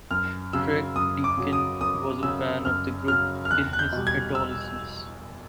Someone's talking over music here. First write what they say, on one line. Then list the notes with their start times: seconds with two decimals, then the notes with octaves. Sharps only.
Fred Deakin was a fan of the group in his adolescence.
0.11 F#2 F6
0.53 C#3 F#3 E6
0.96 F#2 D#6
1.24 D6
1.37 C#3 F#3
1.53 D#6
1.81 F#2 D#6
2.23 C#3 F#3 E6
2.65 F#2 F6
3.08 C#3 F#3 F6
3.45 F6
3.51 E2 F#6
3.73 F#6
3.79 G6
3.93 B2 G3
4.07 G#6
4.35 E6